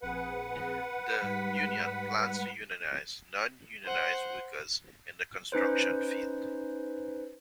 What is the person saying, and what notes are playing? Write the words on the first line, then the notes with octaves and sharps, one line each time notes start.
The union plans to unionize non-unionized workers in the construction field.
A#1 C4 G#4 B4 F#5
G#2 G3 B6
C5 F#5
C#4 D#4 B4 C5